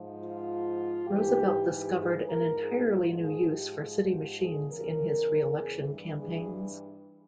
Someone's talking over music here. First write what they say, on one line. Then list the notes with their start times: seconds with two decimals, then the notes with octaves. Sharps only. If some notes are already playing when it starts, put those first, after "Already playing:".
Roosevelt discovered an entirely new use for city machines in his reelection campaigns.
Already playing: G#2 F3
0.18 F4
1.08 G#2 E3 G4
1.68 G4
1.98 G#4
2.28 G#2 F3 A#4
2.58 G#4
2.89 F4
3.18 G#4
3.48 G#2 F3 G4
3.78 G#4
4.08 G4
4.39 G#4
4.68 E2 C#3 E3 A#4
5.58 G#4
5.89 G2 E3
6.18 G#4